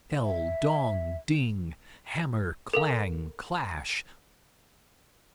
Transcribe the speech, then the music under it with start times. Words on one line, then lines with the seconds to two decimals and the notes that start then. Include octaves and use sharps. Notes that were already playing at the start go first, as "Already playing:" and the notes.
Bell, dong, ding; hammer, clang, clash!
0.21 E5
2.74 A4 A#4 F5